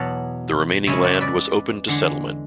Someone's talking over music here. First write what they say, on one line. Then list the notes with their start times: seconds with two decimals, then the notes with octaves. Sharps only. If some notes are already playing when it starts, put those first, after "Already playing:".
The remaining land was opened to settlement.
Already playing: E2 B2 F#3 F#5 A5
0.87 C#3 G#3 C#4 E4 E5 G#5
1.04 D5 F#5
1.14 E5
1.21 B4 D5
1.88 E2 D3 G#3